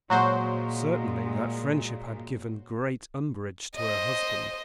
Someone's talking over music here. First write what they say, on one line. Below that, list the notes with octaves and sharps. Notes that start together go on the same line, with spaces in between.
Certainly that friendship had given great umbrage to her husband.
A#2 F#3 G#3 F#4 C5
C5 D#5